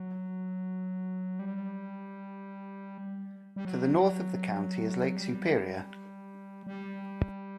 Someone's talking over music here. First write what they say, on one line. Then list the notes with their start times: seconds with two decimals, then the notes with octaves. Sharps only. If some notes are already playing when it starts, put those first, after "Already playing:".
To the north of the county is Lake Superior.
Already playing: F#3
1.39 G3
3.56 G3
3.65 F#3
5.16 G3
6.67 G3